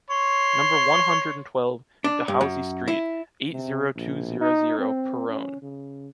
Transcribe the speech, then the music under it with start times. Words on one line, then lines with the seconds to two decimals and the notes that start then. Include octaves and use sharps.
Number one-hundred-and-twelve, Dehaussy Street, eight-zero-two-zero-zero, Péronne.
0.10 C#5 C6
2.04 D4
2.28 G2
2.41 F#2
2.88 E4
3.52 C3
3.96 A#1
4.41 D#4
4.79 C4
5.28 C#4
5.62 C#3